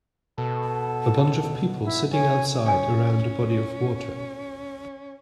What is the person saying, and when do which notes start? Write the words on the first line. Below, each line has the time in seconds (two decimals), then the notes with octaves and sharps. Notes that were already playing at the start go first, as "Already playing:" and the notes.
A bunch of people sitting outside around a body of water.
0.38 B2 A4
1.85 E4
2.13 C#4 G#5
2.66 C#4 D4 C#5 G#5